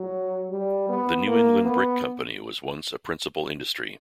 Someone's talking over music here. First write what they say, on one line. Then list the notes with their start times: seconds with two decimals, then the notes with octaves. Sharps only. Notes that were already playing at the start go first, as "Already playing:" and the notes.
The New England Brick Company was once a principal industry.
Already playing: F#3
0.50 G3
0.89 B3
1.27 A#3
1.65 B3